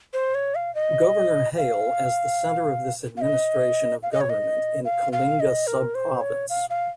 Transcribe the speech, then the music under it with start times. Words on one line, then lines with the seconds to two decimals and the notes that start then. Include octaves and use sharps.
Governor Hale as the center of this Administration of government in Kalinga sub-province.
0.13 C5
0.35 C#5
0.55 F5
0.75 D#5
1.57 F5
3.17 F5
3.21 D#5
4.03 F5
4.12 D#5
4.21 C#5
4.30 D#5
4.85 F5
5.13 F5
5.40 D#5
5.67 A#4
5.95 C5
6.21 C#5
6.50 F5
6.70 F5